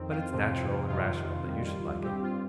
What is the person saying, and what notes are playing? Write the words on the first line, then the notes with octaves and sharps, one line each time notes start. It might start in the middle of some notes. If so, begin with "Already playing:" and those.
But it's natural and rational that you should like it.
Already playing: F2 D#3 C4
F4
F2 C3 F3 C4
F2 C3 D#3 F4
F2 D#3 G3
G2 G3 C4 G4
F4